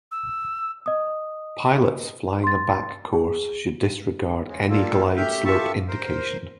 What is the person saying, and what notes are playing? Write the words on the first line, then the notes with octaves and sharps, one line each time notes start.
Pilots flying a back course should disregard any glide slope indication.
E6
D#5 D#6
C6 A6
G#4
C#3 G#3
G3 A#3 F4 A4
A3 G4 E5 F6 G6
F4 G4 A4 E5 A5 C#6
A#4 C5